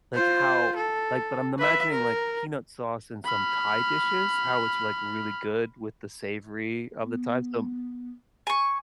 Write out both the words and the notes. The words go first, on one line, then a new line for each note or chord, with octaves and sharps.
like, how like, but I'm imagining, like, peanut sauce in some Thai dishes? How it's, like, really good with the savory of the Thai, so
F4 C5
A4
B4 E5
A#4
B5 F6
B3
G#5 C#6